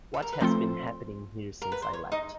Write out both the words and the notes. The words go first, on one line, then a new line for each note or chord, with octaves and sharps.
What has been happening here since I left?
A4
A#4
B4
F3 A3 C4 F4 A4 C5
A#4
B4
C5
C#5
D#4 D#5